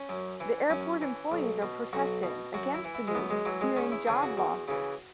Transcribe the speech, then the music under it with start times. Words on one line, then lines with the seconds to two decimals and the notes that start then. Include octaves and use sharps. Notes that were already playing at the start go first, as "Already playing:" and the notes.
The airport employees are protesting against the move fearing job losses.
Already playing: C#4
0.09 F#2
0.40 E3
0.70 F#2 C#4
1.02 E3
1.32 B1
1.62 B2
1.93 B1 F#4
2.23 B2
2.54 F#2 F#4
2.75 E4
2.85 E3
2.95 E4
3.07 G#3
3.15 F#2 B3
3.30 G#3
3.45 E3 F#3
3.61 G#3
3.76 E2 C#4
3.92 E4
4.07 C#3 E3 G#4
4.23 F#4
4.37 E2
4.68 C#3 E3